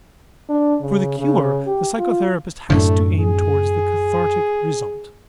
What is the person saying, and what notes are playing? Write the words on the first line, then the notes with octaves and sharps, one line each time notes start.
For the cure the psychotherapist has to aim toward the cathartic result.
D4
C#3
C#3
G4
F4
F#2 A2 D3 A3
G#4